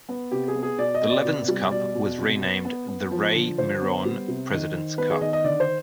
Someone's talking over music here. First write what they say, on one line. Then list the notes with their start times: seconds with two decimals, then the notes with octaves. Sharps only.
The Levins Cup was renamed the Ray Miron President's Cup.
0.09 B3
0.31 C3 G4
0.48 G#4
0.55 B3
0.63 G#4
0.78 B2 D5
0.94 D#5
1.02 B3
1.10 D5
1.25 C3
1.48 G3
1.71 B2 D5
1.95 B2
2.18 C3
2.41 B3
2.65 B3
2.88 B3
3.11 F3
3.35 D3
3.58 D3 C5
3.81 B3
4.05 G3
4.28 C3
4.52 D#3
4.74 D#3
4.98 B3 B4
5.10 G#4
5.21 D#3 D#5
5.33 D#5
5.44 D3 D5
5.60 C5